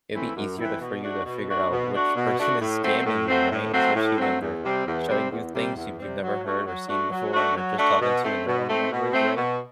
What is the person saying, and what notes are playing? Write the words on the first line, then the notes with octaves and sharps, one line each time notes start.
it'd be easier to for you to figure out which person is scamming you, right, especially when they're showing you things you've you've never heard or seen before, and they're just talking to you in their own language, right,
E3 A3 C4 E4
F#2
E3 A3 C4 E4
B2
A3 D4 F#4
B2
A3 D4 F#4
B2
A3 D4 F#4
B2
A3 D4 F#4
A2
F#3 A3 C4
A2
F#3 A3 C4
A2
F#3 A3 C4
A2
F#3 A3 C4
E2
C3 G3 C4
E2
C3 G3 C4
E2
C3 G3 C4
E2
C3 G3 C4
F#3
A3 D4 F#4
F#3
A3 D4 F#4
F#3
A3 D4 F#4
F#3
A3 D4 F#4
B2
A3 C4
B2
A3 C4
B2
A3 C4
B2